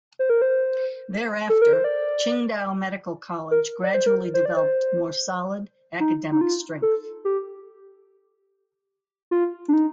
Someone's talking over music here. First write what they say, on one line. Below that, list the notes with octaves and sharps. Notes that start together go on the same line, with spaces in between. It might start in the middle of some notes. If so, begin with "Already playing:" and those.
Thereafter, Qingdao Medical College gradually developed more solid academic strength.
C5
A#4
C5
A4
A#4
C5
D5
A#4
D5
C5
A#4
C5
D5
C5
D#4
D#4
F4
A4
G4
F4
D4
D#4